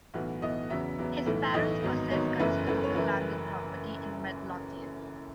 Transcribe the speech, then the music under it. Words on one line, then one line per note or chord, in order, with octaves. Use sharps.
His parents possessed considerable landed property in Midlothian.
B1 A2 E3 B3 F#4
B1 A2 E3 B3 D#5
E2 C#3 F#3 B3 E5
E2 C#3 F#3 B3
B1 A2 E3 A3
B1 A2 E3 A3 D#5
G#1 G#2 F#3 B3
G#1 G#2 F#3 B3 C#5
F#1 F#2 E3 A3 B4
F#1 F#2 E3 A3 B4
C#5
F#1 F#2 E3 A3 B4